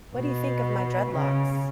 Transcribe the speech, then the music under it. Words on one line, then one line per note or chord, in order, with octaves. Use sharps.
What do you think of my dreadlocks?
B2
C#3